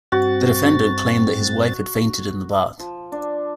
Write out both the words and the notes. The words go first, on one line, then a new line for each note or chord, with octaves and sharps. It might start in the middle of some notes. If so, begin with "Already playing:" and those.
The defendant claimed that his wife had fainted in the bath.
G2 C4 F#4 A6
F3
D4